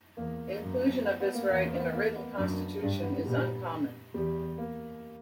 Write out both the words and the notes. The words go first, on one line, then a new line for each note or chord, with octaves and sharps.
Inclusion of this right in a written constitution is uncommon.
E2 A#3
F#2
B3
B3
A#3
E2 A#3
A#3
B3
A#3
B3
F#2 D4
G2 D4
B3
A#2 G3
E2 G3
A#3